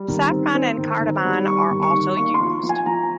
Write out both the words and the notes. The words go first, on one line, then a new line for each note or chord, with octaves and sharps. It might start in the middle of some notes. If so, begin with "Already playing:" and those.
Saffron and cardamom are also used.
Already playing: G3
D#3
C4
C4
D#3
D#3
G3
G3 C#6
D#3
C#6
D#3
A#3 C#6
C6
F3
F3
G#5
F3 A#5